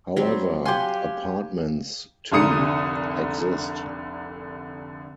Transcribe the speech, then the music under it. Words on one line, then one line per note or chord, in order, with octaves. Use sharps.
However apartments too exist.
F#3 G3 C4
G4 F5 F#5 G#5 C6
F1 C2 D3 A#5 D#6 C#7